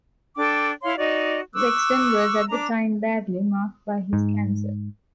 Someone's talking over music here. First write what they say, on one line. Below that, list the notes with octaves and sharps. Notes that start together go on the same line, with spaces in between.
Reksten was at the time badly marked by his cancer.
D4 A4 G5 D6
E4 C#5 F5 C6
D#4 F#4 D5 D#5
C#6 D6 E6 F#6
D4 A#5 D6
G#2